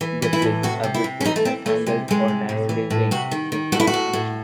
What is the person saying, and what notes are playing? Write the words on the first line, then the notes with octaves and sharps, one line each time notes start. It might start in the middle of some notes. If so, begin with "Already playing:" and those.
The twigs are brittle, and angled or narrowly winged in cross-section.
E3
E3
E4
A2
C3 F#4
C3
E4
C3
C#4
E3 D#4
A3
E3 C4
E3 A3
C3 G#3
C3 G#3
C3
A2
E3
A2
C3 F#4
D#3
D#3
A2 F#4
E4
F#4
A2
A2